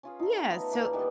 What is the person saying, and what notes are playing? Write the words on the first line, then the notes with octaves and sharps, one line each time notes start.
yeah, so
C#4 F4 G#4
D#4 A4
A3 B3
A#2 E3 A#3
D#3 E3 G3 B3